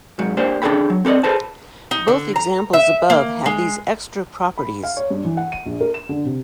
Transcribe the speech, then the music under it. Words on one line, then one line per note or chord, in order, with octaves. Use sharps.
Both examples above have these extra properties.
G#2 F#3
A#3 D4 G4 C5
C#4 D4 G#4 A4 G5 B5
F#3
C4 A4 A#4 D5 D#5
G#4 A4 B4 C5 A5
D#4
D3
A#5
E5
A#3
G#3
B5
F5
C#5
G2
E3
F#5
D#7
A#1
A#4
E7
D3
C3